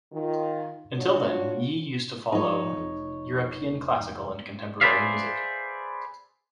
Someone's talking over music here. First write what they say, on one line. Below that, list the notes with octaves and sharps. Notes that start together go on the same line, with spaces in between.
Until then Yi used to follow European classical and contemporary music.
D#3 F4
D4 F4 F#4 C#5
F3 D#4 C#5
F1
G#4 B4 C5 D5 E5 F5